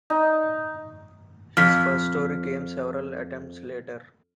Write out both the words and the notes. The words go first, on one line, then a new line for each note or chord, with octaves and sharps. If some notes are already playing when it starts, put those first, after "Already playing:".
His first story came several attempts later.
D#4
F2 F6 B6